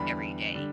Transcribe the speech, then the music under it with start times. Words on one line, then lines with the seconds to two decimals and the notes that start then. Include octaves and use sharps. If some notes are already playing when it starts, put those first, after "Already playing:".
every day,
Already playing: E2 D3 G3 B5
0.54 D3 G3